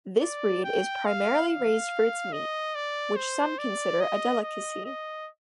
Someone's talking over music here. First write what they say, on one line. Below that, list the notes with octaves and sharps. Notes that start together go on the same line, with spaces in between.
This breed is primarily raised for its meat, which some consider a delicacy.
D5
G5
F5
F5
D#5
D5
C5
D5
D#5
D#5
D#5